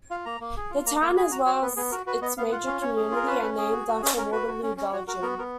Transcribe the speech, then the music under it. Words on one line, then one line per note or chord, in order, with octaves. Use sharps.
The town, as well as its major community, are named after Waterloo, Belgium.
F4 F5
A#3 A#5
A#3
G#4
F4
A#3 A#5
A#3 A#5
G#4 B5
F#4 A#5
F#4 C#5
B3 B4
B3 G#4
F#4 A#4
F#4 B4
B3 D#5
B3 F5
F4 F#5
C#4 F5
C#4 C#5
G#4
F4 A#4
C#4 B4
C#4
G#4
F#4
F#4
C#4 G#4
C#4 A#4
F#4 B4
F#4
C#4
C#4
F#4 C#5
F#4 A#4
B3 A#4
B3 A#4